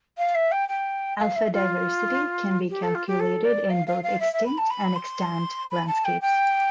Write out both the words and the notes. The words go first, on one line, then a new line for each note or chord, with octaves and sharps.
Alpha diversity can be calculated in both extinct and extant landscapes.
F5
E5
G5
G5
F5
E5
F4
G4
A4
F4
G4
A4
D5
F5
F5
F5
E5
E5
B5
A5
B5
C6
B5
A5
G5
G5